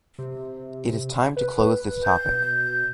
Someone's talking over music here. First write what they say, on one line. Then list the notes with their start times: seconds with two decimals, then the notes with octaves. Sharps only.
It is time to close this topic.
0.19 C3
1.37 B4
2.04 G6
2.27 B2